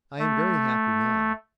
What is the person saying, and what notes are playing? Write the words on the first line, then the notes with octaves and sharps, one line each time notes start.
I am very happy now.
A3